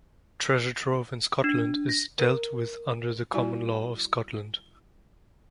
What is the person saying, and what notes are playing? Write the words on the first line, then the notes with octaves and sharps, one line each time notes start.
Treasure trove in Scotland is dealt with under the common law of Scotland.
D4
A#6
A#4
G3 E4 F#4 D5 G#5